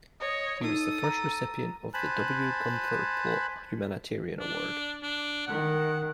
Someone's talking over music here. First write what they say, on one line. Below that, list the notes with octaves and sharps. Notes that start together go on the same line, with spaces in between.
He was the first recipient of the W. Gunther Plaut Humanitarian Award.
C#5 D#5
D#4 A4 D#6
A#5
C5 G#5 A5 B5 F#6
D4
D4
D#3 F#5